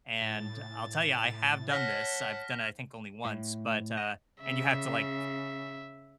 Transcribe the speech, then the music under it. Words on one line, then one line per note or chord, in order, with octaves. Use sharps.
and I'll tell ya, I have done this. I've done it I think only once, but, uh, and you have to like
A2 A6
C#5 F#5 A5 F6 A#6 B6
A2
D#5
C#3 E5